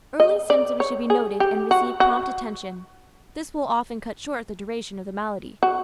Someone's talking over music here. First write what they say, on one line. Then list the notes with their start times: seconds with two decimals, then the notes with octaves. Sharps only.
Early symptoms should be noted and receive prompt attention; this will often cut short the duration of the malady.
0.20 D#5
0.50 D5
0.80 C#5
1.10 G#4
1.40 G4
1.71 F#4
2.00 F#4
5.63 F#4